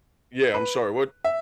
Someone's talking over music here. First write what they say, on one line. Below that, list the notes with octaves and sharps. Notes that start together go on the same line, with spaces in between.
Yeah, I'm sorry, what?
B4
E5